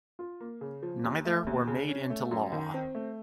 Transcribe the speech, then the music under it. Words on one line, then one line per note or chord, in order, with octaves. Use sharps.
Neither were made into law.
F4
A#3
C#3
F3
D#2
A3
D#2
C#3
C#4
A3
F#2
D#3
C4
A3